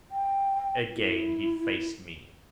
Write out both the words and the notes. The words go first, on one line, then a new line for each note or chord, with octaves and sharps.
Again he faced me.
G5
E4